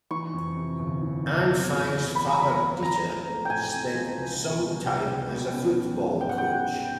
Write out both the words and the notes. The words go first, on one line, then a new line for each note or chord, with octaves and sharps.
Anfang's father Dieter spent some time as a football coach.
E3 C#6
F2
C3
G1
E3
F2
B3
A2
F#3
A1 B5
A#5
B3
B5
A2
C4 A#5
F3
A3
A2 G5 G#5
C4
F3
C#2
B2
G3
C#2 G5
C#2
B2
C#4
D#3
G#3
G2 G5
F#5
G5
C#4
D#3